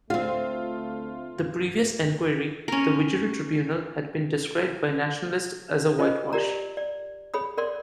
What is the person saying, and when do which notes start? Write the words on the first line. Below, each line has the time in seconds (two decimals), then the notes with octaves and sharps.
The previous inquiry, the Widgery Tribunal, had been described by nationalists as a whitewash.
0.10 D2 A3 C4 F4 F5
2.68 C#4 A#4
5.98 F4 A#4 C5 D#5
6.33 G4 A#4 D5 A#5
6.77 D5
7.34 G#4 C#5 B5 D#6
7.58 A#4 D5 C6